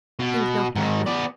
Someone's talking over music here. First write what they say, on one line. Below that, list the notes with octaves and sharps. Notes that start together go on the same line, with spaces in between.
Think not black man.
B2
G#2 D#3
B3 D5